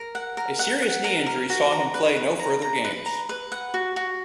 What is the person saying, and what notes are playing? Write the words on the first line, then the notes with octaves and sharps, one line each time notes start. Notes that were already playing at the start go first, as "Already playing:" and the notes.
A serious knee injury saw him play no further games.
Already playing: A#4
F#5
A#4
F#5
F#5
A#4
A#4
F#4
A#5
B4
B4
A#5
A#5
B4
A#5
B4
F#5
F#4
F#4